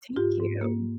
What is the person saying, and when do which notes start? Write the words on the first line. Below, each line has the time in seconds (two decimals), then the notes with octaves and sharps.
Thank you.
0.16 G#2 F4 G4
0.39 G#2
0.61 A#3